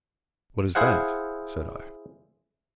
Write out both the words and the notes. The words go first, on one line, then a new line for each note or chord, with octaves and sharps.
'What is that?' said I.
E4 G#4 C5 F5 F#5